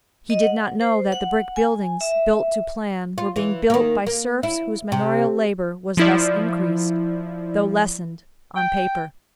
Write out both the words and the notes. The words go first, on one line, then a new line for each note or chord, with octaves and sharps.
He did not know that the brick buildings, built to plan, were being built by serfs whose manorial labor was thus increased, though lessened on paper.
D#5
F#5
C5
F#5
G#5
E5
F4
E3
D#3 A#3
A#3
E4
C3
F3 E4 D5
G5